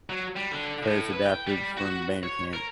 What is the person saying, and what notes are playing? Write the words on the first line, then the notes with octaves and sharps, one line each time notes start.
Credits adapted from Bandcamp.
F#3
G3
D3
A2
B4
G5
G3
F#4
C#5
A#4